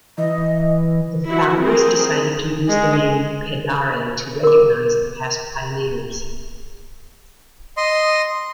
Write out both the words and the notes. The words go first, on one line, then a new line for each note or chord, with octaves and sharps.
The founders decided to use the name "Pedare" to recoginise the past pioneers.
E3 D#5
E4 F#4
C4 G#4 A#4 C5
G#3
A#4 D6
D#5 C6